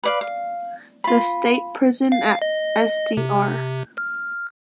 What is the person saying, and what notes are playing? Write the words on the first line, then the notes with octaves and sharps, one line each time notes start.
The State Prison at Sdr.
B4 D5 F5
F5
F4 B5
F5
D#5
C3
F6